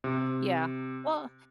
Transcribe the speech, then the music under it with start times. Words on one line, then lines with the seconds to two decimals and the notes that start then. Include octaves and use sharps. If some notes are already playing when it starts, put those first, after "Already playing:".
Yeah. Well
0.04 C3